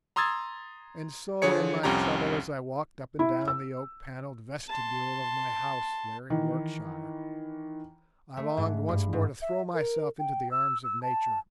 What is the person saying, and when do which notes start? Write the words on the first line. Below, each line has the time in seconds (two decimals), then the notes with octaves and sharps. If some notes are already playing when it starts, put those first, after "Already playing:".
And so in my trouble, as I walked up and down the oak-panelled vestibule of my house there in Yorkshire, I longed once more to throw myself into the arms of Nature.
0.16 A#5 C6 D#6 E6 G#6 A6
1.42 D3 F3 G#4 C#5 C#7
1.83 C2 F2 C#4 G4 A#5
3.19 E4
3.48 E6
4.69 A5 C6
6.30 D#3 E3
8.37 A3
8.57 G#2
8.89 G2
9.13 G#2
9.42 E5
9.74 A#4
10.19 G5
10.51 E6
10.84 E6
11.02 A5